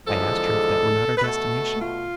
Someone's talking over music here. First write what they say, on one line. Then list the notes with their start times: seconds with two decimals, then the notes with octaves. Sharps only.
I asked her if that were not our destination?
0.06 E2 D3 F3 G#3 A4
1.17 B4
1.22 B2 A3 A4
1.81 F4